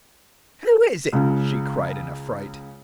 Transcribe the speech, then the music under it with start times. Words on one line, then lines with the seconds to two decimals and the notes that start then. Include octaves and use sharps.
"Who is it?" she cried in affright.
1.13 C#2 C#3